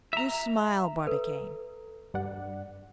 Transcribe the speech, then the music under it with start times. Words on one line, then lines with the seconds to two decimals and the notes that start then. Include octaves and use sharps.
You smile, Barbicane.
0.13 F4 E5 A#5
1.07 A4 B4
2.14 G2 D5 F#5